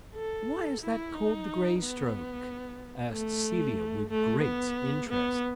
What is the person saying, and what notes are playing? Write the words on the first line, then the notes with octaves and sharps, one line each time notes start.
"Why is that called the Grey stroke?" asked Celia with great interest.
A4
E4
D#4
B3
A3
A3
B3
B3